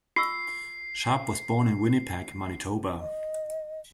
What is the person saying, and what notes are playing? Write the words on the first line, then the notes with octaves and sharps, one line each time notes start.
Sharp was born in Winnipeg, Manitoba.
F4 C#6 E6 C7
D#5